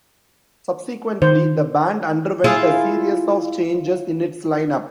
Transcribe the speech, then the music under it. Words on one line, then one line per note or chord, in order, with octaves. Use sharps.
Subsequently, the band underwent a series of changes in its line-up.
D#3 C5
E4 F4 G#4